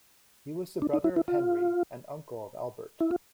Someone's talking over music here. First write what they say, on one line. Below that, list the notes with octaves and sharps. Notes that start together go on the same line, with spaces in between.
He was the brother of Henry and uncle of Albert.
D4
D#4
E4
E4
F4
E4
F4